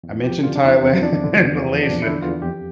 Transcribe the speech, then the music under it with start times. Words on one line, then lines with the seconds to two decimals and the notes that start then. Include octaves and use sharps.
I mentioned Thailand and Malaysia.
0.03 E2
0.24 F3 G4
0.43 D3 F4
0.56 D4
0.64 E2 E4
0.83 E2 C4
1.03 F3 D4
1.24 D3
1.43 E2
1.62 E2
1.83 F3 D4
2.02 D3 E4
2.23 E2 F4
2.42 F2 G4